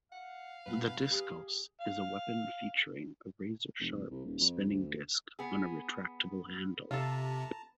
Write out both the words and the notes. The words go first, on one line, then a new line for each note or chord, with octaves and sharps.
The diskos is a weapon featuring a razor-sharp spinning disk on a retractable handle.
F5 F#5
G2 B2 B4
G4 G#4
F5
F1
C2
D#1
F2
D2
B3 G#4
C3 F4 A4 A5 A#5